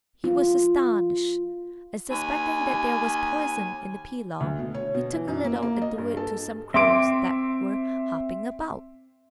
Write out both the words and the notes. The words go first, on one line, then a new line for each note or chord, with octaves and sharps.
He was astonished, and suspecting that there was poison in the pilaw, he took a little and threw it to some crows that were hopping about.
F4
D#2 G#5
D2
B2
C#5
B2
E3
F#2
A#3
A#3
D#5
G2
A4
C4 E5 C6 D6 D7